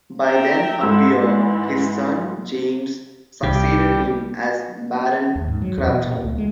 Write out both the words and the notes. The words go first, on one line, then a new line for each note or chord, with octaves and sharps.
By then a peer, his son James succeeded him as Baron Crathorne.
E5 G5 A#5
G#2 E4 A4 E6
E3 E4
C2 C3 G3 G4
D#2
G#2
F#3
E2
B2
A#2
C#2
G#3